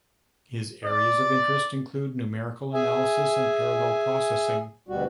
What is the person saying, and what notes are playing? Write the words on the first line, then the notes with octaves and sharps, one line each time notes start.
His areas of interest include numerical analysis and parallel processing.
D5
G#4 E5 G#5
D2 B2 G3 F#4